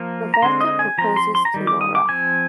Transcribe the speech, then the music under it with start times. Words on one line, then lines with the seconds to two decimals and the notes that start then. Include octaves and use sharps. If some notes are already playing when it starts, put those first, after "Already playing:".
Roberto proposes to Laura.
Already playing: F3 A#3
0.34 A#5
0.42 D3 G#3 C4 C6
0.61 D#5
0.79 G#5
0.98 F3 C4 A#5
1.16 C6
1.35 C6
1.45 A#5
1.54 D#3 G3
1.67 D6
1.81 D#6
1.95 D6
2.09 F3 C4 G#5